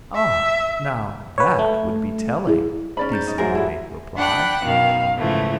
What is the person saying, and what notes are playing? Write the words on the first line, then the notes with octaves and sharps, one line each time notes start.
"Ah, now, that would be telling!" Deasey would make reply.
E5
B4 C#5
A3 A4
E4 G#4
G#2 C#4 D5 B5
A#5 G6 A6
C#4 D#4
G#2 F#3 G#3 A#4 C5 E5 F#5 G#5
G3 E4 A4 A5 B5
D4 F#5 G5 B5 F#6
F#2 B2 D#3 F5
G#2 C#3 E3 F3 A3